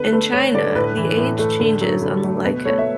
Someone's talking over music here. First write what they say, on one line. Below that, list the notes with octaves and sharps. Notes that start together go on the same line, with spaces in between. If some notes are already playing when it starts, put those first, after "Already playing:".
In China, the age changes on the lichun.
Already playing: D3 B3 B4
A3 B4
A3 C#5
D3 D5
A2 B4
E3
A2
A3
D3
F#3
D3
A3
B2 B4
A3 C#5
E5